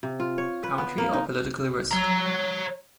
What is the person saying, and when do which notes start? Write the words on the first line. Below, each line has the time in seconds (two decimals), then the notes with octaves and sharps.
Country or political risk.
0.03 C3
0.20 F4
0.38 C#5
0.63 B4
0.78 B3
0.98 A#3
1.13 D#4
1.92 C#5 A#5